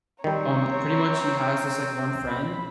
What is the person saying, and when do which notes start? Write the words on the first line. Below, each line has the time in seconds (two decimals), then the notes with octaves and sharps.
um, pretty much he has this like one friend.
0.24 D#3 G3 C4 C#5 A#5
2.28 B5